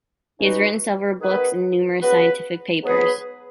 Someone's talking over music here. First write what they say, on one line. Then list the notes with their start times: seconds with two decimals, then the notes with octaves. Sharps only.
He has written several books and numerous scientific papers.
0.40 C#3 G#3 D#4 F#4 B4
1.21 D#3 B3 G#4 B4
2.02 C#3 B3 F#4 B4
2.82 G#2 F#3 B3 G#4 B4